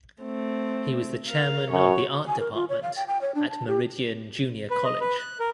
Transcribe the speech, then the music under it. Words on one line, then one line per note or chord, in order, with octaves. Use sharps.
He was the chairman of the art department at Meridian Junior College.
A3 C4
A#4 F5
F#2 F#4 C#5
G#5
A#4
F4
C#5
F5
G5
G5
C#5
D4
A5
G4
B4
D#5
B4
F#6
A#4